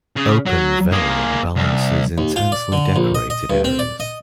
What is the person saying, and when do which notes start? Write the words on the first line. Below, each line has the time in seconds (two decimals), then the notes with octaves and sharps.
Open vellum balances intensely decorated areas.
0.16 C#3
0.46 F#3
0.93 A#3 G#4
1.56 C2
2.18 D#2
2.36 F4
2.52 D5
2.72 D3
2.96 A#1
3.15 D#5
3.30 D#5
3.50 G2
3.64 C4
3.79 D5
4.00 D#5